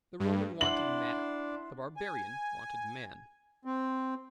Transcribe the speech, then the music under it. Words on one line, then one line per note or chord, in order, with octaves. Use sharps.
The Roman wanted matter; the Barbarian wanted man.
G2
D4 E4 C5 D5 F#5 F#7
G#5
C4